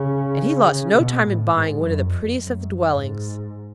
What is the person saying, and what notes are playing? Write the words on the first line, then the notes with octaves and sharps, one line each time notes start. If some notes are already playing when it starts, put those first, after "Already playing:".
And he lost no time in buying one of the prettiest of the dwellings.
Already playing: C#3
C#3
B2
A2
G#2
F#2
F2
F#2
G#2